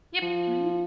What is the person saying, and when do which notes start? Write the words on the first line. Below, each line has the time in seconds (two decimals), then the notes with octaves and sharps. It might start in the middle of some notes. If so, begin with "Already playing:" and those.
Yep, mhm.
0.22 F3